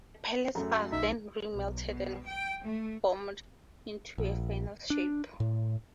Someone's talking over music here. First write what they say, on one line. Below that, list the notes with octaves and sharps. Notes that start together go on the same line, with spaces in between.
The pellets are then re-melted and formed into the final shape.
F#2 F#3 A3 G#4 A4
B1 D#4 E5
B1
B2
G5
A3
A#1
D4
A2